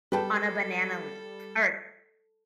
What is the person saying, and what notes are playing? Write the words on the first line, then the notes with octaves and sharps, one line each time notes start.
on a banana leaf or
G3 A4 B4 G5 A5